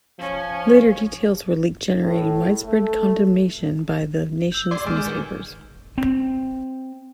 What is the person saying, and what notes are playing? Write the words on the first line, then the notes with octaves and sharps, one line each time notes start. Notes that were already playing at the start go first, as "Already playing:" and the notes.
Later, details were leaked generating widespread condemnation by the nation's newspapers.
F3 C#4
A2
A3
E6 G6
G4 D5 E5 G#5 C6 D6
G#3 D5 C#6 D6 F6
A#2 D#3 B3
C4